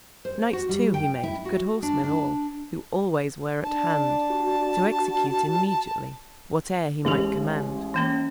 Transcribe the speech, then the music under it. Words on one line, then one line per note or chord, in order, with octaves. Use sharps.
Knights, too, he made, good horsemen all, Who always were at hand To execute immediately Whate'er he might command.
C5
F#4
G3
G5
E4
F#4
D4
D4
D4 A5
F#4
A1 E3 G#3 G4 F#7
E3 A#3 C#4